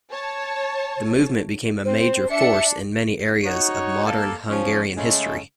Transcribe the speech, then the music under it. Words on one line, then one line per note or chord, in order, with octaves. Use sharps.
The movement became a major force in many areas of modern Hungarian history.
C#5 A5
C4 C5
D4 E5 C#7
D#4 F#4 C#5
A#3 A4
F3 C#4
C#3 G#3 A3